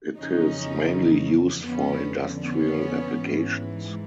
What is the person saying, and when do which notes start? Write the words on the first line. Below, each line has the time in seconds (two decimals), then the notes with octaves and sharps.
It is mainly used for industrial applications.
0.18 F2 C#3 E3 C#4 D#4
1.66 F2 D3 B3 C#4
2.40 B3 C#4
3.14 G#2 E3